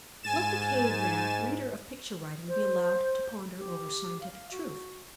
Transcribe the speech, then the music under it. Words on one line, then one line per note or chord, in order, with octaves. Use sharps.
Let the cave-man, reader of picture-writing, be allowed to ponder over scientific truth.
G#2 G#5 A6 E7
C5
G4
F5
F#4